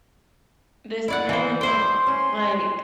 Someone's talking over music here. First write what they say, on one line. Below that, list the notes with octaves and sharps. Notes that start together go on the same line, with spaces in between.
The smell and all, like
E4 D5 F#5
E3 C5
E4 C5 G5 C6
C#4